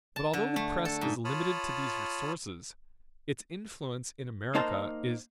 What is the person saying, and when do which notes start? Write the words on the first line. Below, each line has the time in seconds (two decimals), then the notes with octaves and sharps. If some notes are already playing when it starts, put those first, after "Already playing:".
But although the press is limited to these resources, its influence in America is immense.
0.16 A5
0.33 D3
0.56 A3
0.85 A4
1.01 G#2
1.25 F4 C#5 A5 B5 D#6 F6
4.55 A#3 D#4 C5 A5